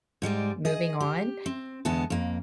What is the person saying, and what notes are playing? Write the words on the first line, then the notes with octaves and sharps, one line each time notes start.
moving on.
G#2 G3 G#3 D5
G#4 D#5
G4
C4
E2 D3 G#3 B3 A5
F2 A#3